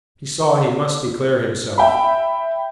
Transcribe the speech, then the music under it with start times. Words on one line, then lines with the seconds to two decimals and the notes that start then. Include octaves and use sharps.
He saw he must declare himself.
1.78 E5 G5 B5